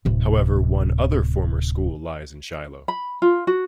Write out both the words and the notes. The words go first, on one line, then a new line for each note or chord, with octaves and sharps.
However one other former school lies in Shiloh.
D1 C3
B5
F4
F#4